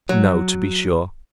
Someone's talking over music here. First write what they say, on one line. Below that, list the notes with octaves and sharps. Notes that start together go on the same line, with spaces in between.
No, to be sure!
F#3